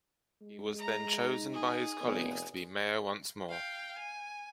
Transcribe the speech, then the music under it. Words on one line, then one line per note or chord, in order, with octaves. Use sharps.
He was then chosen by his colleagues to be mayor once more.
G#3
A#5
D#4
G#4
F1 B3
F5 G5
G#5